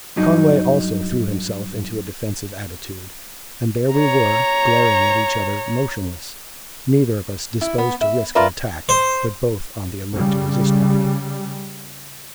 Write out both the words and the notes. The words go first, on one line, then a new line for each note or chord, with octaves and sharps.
Conway also threw himself into a defensive attitude, and there we were, glaring at each other motionless, neither of us disposed to risk an attack, but both on the alert to resist one.
G2 F#3 D#4
C#5 A#5
E4
B3
E5
F4 A#4 B4 D5 E5
C5
C#3 G3